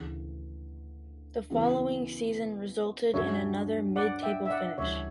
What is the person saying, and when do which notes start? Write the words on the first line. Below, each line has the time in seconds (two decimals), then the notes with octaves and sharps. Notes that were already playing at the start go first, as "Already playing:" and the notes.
The following season resulted in another mid-table finish.
Already playing: D2 C#3 E3
1.50 F#2 C#3 E3 B3
3.13 G2 D3 F#3 C#4 C#5 E5
3.96 D5 F#5
4.23 E5 G5
4.46 E5
4.50 D5 F#5
4.77 D2 C#3 E3 G3 C#5 E5